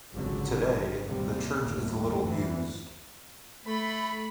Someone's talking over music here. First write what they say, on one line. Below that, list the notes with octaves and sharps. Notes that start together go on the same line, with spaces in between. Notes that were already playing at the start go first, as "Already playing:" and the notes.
Today, the church is little used.
G#1 C#2 D3 F#3
D#2 C3 G3
G1 D#2 A2
D2 E3
A3 B5